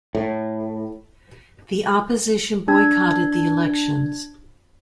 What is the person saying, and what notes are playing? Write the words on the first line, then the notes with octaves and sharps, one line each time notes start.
The opposition boycotted the elections.
A2
D4 G#6